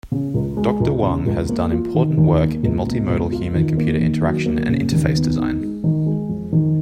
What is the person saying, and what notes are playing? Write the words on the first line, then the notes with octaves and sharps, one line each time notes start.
Doctor Huang has done important work in multimodal human computer interaction and interface design.
C#3
C#2
G#3
C#2
C#3
C#2
A#3
F4
D#3
D#2
A#3
C#2
B2
C#2
F4
D#3
A#3
D#3
F#3
A#3
C#3
D#2
B3
D#4
G#3
D#3
G#3
F2
D#3